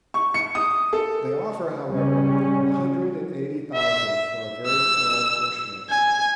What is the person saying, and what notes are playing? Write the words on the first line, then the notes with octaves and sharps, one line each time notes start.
They offer, however, a hundred and eighty thousand for a very small portion of them.
C#6
C#7
D#6
A4
C#3 G3 C#4
E5
E6
G#5